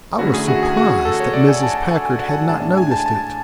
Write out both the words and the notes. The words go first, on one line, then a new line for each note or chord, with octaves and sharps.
I was surprised that Mrs. Packard had not noticed it.
E2 D3 A3 C#4 E4 F#4
G#4
F#4
G#4
F#4
G#4
A4
C#5
D5
G#5
A5
A5
G#5
G#5
F#5
A5
G#5
A2 G#3 D4 A5
A5
G#5
A5
A5